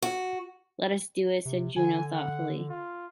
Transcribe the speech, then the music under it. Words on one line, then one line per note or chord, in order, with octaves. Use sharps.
"Let us do it," said Juno thoughtfully.
F#4
C3
D3 G#5
F#5
F4